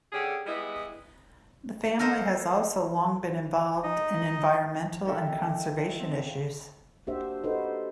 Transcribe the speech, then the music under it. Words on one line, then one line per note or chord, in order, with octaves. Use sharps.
The family has also long been involved in environmental and conservation issues.
D3 C#4 G4 G#4
G3 G#3 B3 E4 D#5
A4 A#4 C5 D#5
D#4 D#5
D#4 G4 A4 A#4 E5 F5
C4
A#3 D4 F#4 G4 C5 E5
D#4 F#4 G4 A4 B4 C5